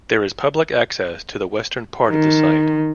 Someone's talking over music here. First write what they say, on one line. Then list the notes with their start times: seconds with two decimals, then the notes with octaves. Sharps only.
There is public access to the western part of the site.
2.07 D#3